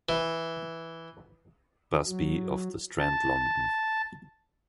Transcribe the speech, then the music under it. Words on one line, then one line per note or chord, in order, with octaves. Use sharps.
Busby of the Strand London.
E3
F#3
A5